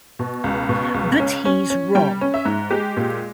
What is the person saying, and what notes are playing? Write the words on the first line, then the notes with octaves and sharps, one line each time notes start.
But he's wrong.
B2
C#2
B2
C#2
C#4
C#4
C#4
G3 G5
C#4
E5
G#2
G#3 G4
A#2